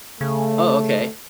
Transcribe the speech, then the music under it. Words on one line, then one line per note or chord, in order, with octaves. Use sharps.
Oh, okay.
C#3 A3